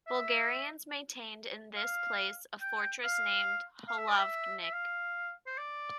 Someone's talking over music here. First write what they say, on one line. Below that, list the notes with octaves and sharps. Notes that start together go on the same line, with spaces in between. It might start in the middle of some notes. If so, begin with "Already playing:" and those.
Bulgarians maintained in this place a fortress named "Holavnik".
E5
F5
G5
F5
F5
E5
D5
E5
E5
F5
C5
D5